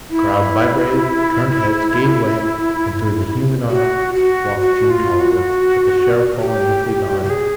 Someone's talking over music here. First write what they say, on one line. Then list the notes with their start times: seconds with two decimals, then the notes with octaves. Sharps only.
The crowd vibrated, turned heads, gave way, and through the human aisle walked June Tolliver with the sheriff following meekly behind.
0.10 E4
3.70 F#4
4.15 F#4
4.60 F#4
4.90 F4
5.20 F#4
6.40 G4
7.24 G4
7.30 G#4